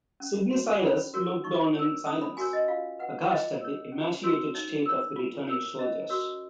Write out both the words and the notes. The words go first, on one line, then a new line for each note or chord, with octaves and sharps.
Sydneysiders looked on in silence, aghast at the emaciated state of the returning soldiers.
C#4
F#4 C#5
C#4 B5
F#4 A#4 C#5
D#4 C#6
A#4 C#5
C#4 D#6
B5
F#4 A#4 C#5 G#5
D#5
F4 F5
B4 F#5
F4 D#5
A#4 C#5
C#4
F#4 A#4 C#5
D#4 C#5
A#4 C#5
F4
A#4 C#5
C#4 D#5
F#4 A#4 C#5